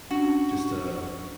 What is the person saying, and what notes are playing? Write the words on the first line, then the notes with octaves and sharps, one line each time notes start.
just to
C#4 D4 F#4